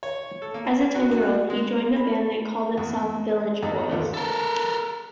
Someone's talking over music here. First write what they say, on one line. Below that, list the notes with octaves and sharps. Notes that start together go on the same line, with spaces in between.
As a ten-year-old, he joined a band that called itself “Village Boys”.
C#5
A4
A#3
F#4
F#4
G#3
B5
E2
E2 D#4 A4
D#2 D3 F3 A3 B3
A4 A#4